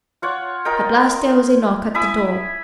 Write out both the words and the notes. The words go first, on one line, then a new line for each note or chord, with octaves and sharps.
At last there was a knock at the door.
F4 C#5 F#5
F4 A#4 D#5 G5
E4 G#5 B5 D#6